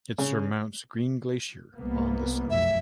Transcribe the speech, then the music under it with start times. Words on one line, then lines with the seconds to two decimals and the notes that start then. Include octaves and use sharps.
It surmounts Green Glacier on the south.
0.18 C#3
1.74 C2 A#3 B3
2.50 F1 B1 F#2 E5